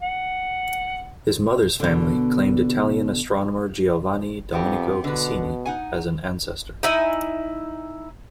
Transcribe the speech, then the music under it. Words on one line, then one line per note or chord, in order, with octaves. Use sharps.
His mother's family claimed Italian astronomer Giovanni Domenico Cassini as an ancestor.
F#5
B2 D3
F2 B3 C4 G4
B2 D3 B4
D#4 F#5 G#5
D#4 E4 G#5